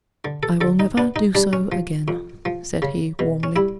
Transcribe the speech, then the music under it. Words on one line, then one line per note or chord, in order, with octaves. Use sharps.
'I will never do so again,' said he, warmly.
D3
A4
D3 A4
D#4
B3 D4
D#4
G3 D4
C#4
F3
F2
F3
C#3
B2
C#4
G3 E4